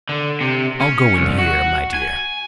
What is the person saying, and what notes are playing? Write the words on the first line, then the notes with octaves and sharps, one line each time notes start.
"I'll go in here, my dear."
D3
C3
C#4
C2
F#4
G#5